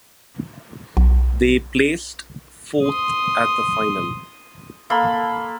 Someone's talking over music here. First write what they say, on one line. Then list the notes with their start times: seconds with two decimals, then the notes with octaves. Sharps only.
They placed fourth at the Final.
0.97 B1
2.83 C6 D#6
4.90 A#3 A4 B5 C6